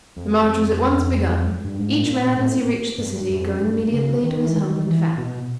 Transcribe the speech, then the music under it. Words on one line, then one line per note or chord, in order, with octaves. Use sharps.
The march was at once begun, each man, as he reached the city, going immediately to his home and family.
F2
G2
G#2
A2
A#2
A2
G2
F#2
F2
F#2
G2
C#3
D#3
E3
D#3
E3
B2